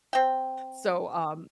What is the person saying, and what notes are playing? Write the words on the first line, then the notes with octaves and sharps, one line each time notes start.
So, um
C4 G5